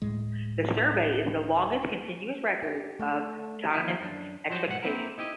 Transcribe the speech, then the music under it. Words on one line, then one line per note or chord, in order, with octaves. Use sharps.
The survey is the longest continuous record of economists expectations.
D1 A2 G#3
G4
A3
D#2 G#2 F3 E4
F#2 D4
F3 F#3 F#4 C5
B1 G#2 F#5
A#3 C4 E4 A#4
D#4 E4 G4 D#5